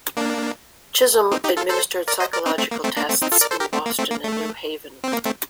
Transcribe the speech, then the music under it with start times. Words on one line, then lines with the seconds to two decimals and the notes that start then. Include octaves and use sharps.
Chisholm administered psychological tests in Boston and New Haven.
0.17 A#3 D4
1.32 C4 D#4
1.44 D#4 G4
1.57 F4 A4
1.70 A4 C5
2.08 A#4 D5
2.20 C5 D#5
2.33 A#4 D5
2.46 C4 D#4
2.58 A3 C4
2.71 A#3
2.84 A3 C4
2.96 A#3 D4
3.09 A3 C4
3.22 C4 D#4
3.32 F4 A4
3.41 A#4 D5
3.51 A4 C5
3.60 G4 A#4
3.73 A3 C4
3.86 A#3
3.99 A3 C4
4.11 A#3
4.24 A3
5.04 C4
5.13 A#3
5.25 A3 C4